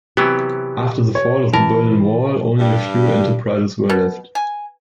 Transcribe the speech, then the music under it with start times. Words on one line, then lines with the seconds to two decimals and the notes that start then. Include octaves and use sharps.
After the fall of the Berlin Wall, only a few enterprises were left.
0.17 C3 E3 F#3 B3 G4
1.15 C#5
1.54 E3 A#4 A5
2.59 G2 G3
3.90 B2
4.35 G#5